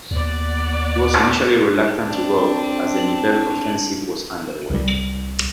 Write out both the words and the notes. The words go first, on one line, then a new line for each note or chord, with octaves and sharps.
He was initially reluctant to go as the Nivelle Offensive was underway.
D#2 B3 D5 F#5
C4 D4
C2 G3